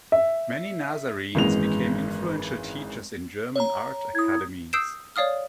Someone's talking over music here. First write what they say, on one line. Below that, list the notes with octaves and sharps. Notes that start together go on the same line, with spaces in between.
Many Nazarenes became influential teachers in German art academies.
E5
G#1 F#2 E3 G#3 B3 F7
C#5 A#5
E4 D#6 G#6
D#6 E6 G6 C7 D7 E7
C#5 D5 F5 D#6 F6